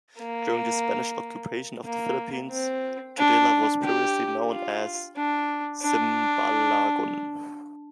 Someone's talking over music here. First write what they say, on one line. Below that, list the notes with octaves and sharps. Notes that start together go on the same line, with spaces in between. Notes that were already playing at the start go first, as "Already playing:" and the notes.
During the Spanish occupation of the Philippines, Tudela was previously known as Simbalagon.
A#3
A#3
C4
D4
G4
F4
D4
D4